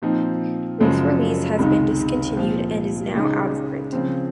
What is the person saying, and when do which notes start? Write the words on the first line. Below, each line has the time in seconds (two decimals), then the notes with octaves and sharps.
This release has been discontinued and is now out of print.
0.02 A#2 F3 C4 D#4
0.80 F#2 C#3 F3 G#3
1.59 C#2 C3 D#3 G#3 D#4
2.36 A#2 F3 C4
3.15 C#3 G#3 D#4
3.92 C#3 F3 C4